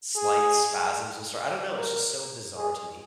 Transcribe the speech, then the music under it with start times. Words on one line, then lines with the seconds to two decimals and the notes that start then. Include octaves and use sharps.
slight spasms will start, I don't know, it's just so bizarre to me.
0.17 G#4
1.77 A#4
2.57 G#4